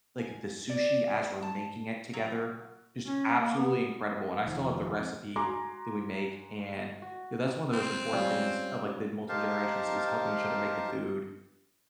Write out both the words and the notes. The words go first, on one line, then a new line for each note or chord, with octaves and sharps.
like, the sushi as we're making it together. Just absolutely incredible, and I still have the recipe that we make, and, you know, that's one of the most important things of, like, the multiple generations is helping each other make the food
G#5
D5
A5
F#3
C#4
A#3
B3
F1 D#3 F3
C4
F#4 G#5 A#5 C6 D6
F#4
C4
G3 C#4 F4
D#4 G4 A#4 C5 F5 A5